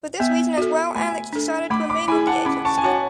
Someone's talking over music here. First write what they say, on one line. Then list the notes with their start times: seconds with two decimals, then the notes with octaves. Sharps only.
For this reason as well, Alex decided to remain with the Agency.
0.19 B3 E5 G#5
0.58 F#4 A4
0.95 A3 G#5 B5
1.33 D4 A4
1.70 A3 B5 D6
1.90 B5 D6
2.08 E4 G#4 G#5 B5
2.27 F#5 A5
2.45 C#4 B5 D6
2.65 A5 C#6
2.78 G#5
2.83 F#4 C#5 F#5 A5